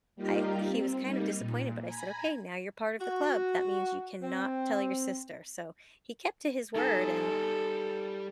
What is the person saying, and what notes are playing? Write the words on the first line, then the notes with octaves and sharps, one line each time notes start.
I he was, kind of disappointed, but I said, "Okay, now you're part of the club. That means you cannot tell your sister," so he kept to his word, and,
G3 A#3 D#4 F4 G4 A#4
C4
G3 A#3 D#4
A#2
G#5 A#5 B5 G#6
F#4
C4
G3 D#4 A4 G#5